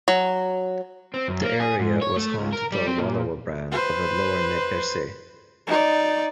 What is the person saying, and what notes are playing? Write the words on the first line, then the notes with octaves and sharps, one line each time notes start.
The area was home to the Wallowa band of the Lower Nez Perce.
F#3
C4
F#2
A#3
G#4
G#2
C#5
A3
C#2
A#4
G3
C4
A#2
B4 C5
D#4 D5